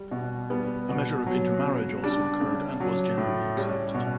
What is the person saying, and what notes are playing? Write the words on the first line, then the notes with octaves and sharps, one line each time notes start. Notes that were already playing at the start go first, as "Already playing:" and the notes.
A measure of intermarriage also occurred and was generally accepted.
Already playing: G3
B2
G3 B3
B2
F#3
C#3
G3 D4
C#3
F#3
A2
G3 C#4
B2